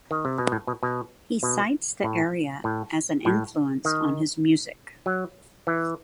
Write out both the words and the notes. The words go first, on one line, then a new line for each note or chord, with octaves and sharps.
He cites the area as an influence on his music.
D#3
C3
B2
A2
B2
B2
B2
A2
A2
A2
D#3
F#3
E3